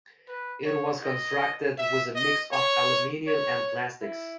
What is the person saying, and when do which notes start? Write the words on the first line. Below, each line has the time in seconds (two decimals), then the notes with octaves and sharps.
It was constructed with a mix of aluminium and plastics.
0.28 B4
0.66 C#5
1.03 D#5
1.78 E5
2.15 D#5
2.52 C#5
3.27 C#5
4.02 E4